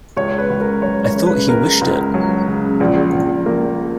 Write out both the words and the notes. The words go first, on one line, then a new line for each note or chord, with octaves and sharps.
I thought he wished it.
C#2 C#5
B4
C#2
A#4
F#3 C#5
C#5
C#3
B4
C#2 A#4
C#2
F#3
C#3
A#1
A#1
A#3 A#4